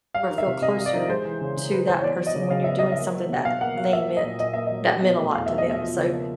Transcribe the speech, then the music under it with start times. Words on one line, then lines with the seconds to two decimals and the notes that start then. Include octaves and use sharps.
feel closer to that person when you're doing something that they meant that meant a lot to them, so,
0.14 G3 F5
0.30 D#3
0.38 E5
0.47 C3
0.61 C3 D#5
0.78 G3
0.86 D5
0.94 D#3
1.08 G#3 C5
1.25 E3
1.41 C#3
1.57 C#3
1.72 G#3 B4
1.88 E3 C5
1.98 C#5
2.03 B3 D5
2.20 F#3
2.27 D#5
2.36 C#3
2.50 C#3 F5
2.64 B3 E5
2.79 F#3 D#5
2.92 E5
2.99 A#3
3.14 F#3
3.29 B2 F#5
3.45 B2 F5
3.61 A#3 F#5
3.77 F#3 F5
3.92 A#3 E5
4.08 F#3
4.17 D#5
4.24 A#2
4.40 A#2 D#5
4.53 A#3 E5
4.67 F#3 D#5
4.87 F#3
5.02 B2
5.18 A3
5.34 E2 F5
5.46 F#3 E5
5.58 D#5
5.66 B2 E5
5.82 F3
5.97 C#3
6.13 A#3